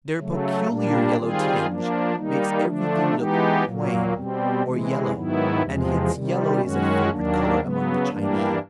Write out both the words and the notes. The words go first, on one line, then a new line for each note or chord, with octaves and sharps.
Their peculiar yellow tinge makes every thing look "hwang" or yellow,--and hence yellow is a favorite color among the Chinese.
C#3 F#3 A3
A#2 G3 A#3 D4
D#3 G3 C4 F4 G#4
F3 A#3 D4
D#3 G3 A#3 D#4
D3 F3 A3 D4
E3 G#3 B3 D#4 G4
A#2 F#3 A#3
B2 G3 C4
C3 E3 G#3
G#2 D#3 F#3 B3 E4
E2 C3 F3 G#3
C3 D#3 G3
F#2 D#3 G#3 C#4 F#4
D#2 D#3 F#3 A#3 D4
C#3 F#3 B3
G2 E3 G3 A#3 D4